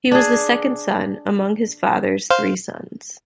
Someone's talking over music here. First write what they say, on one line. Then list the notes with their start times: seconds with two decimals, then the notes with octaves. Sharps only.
He was the second son, among his fathers three sons.
0.12 D4 G#4
2.30 C5 F5